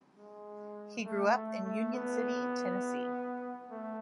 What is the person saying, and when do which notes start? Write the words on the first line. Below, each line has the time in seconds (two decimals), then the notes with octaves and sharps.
He grew up in Union City, Tennessee.
0.17 G#3
1.05 A3
1.35 A3
1.64 A3
1.94 B3
3.71 A3